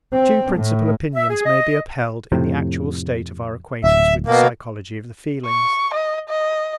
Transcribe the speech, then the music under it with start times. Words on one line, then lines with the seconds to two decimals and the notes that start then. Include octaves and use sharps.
Two principal opinions may be upheld in the actual state of our acquaintance with the psychology of the feelings.
0.14 C4
0.55 A2
1.15 E5
1.30 G#4
1.45 D#5
2.32 F2 A2 C3
3.84 D1 E5
4.27 B2 A#3
5.46 C#6
5.94 D#5
6.29 D#5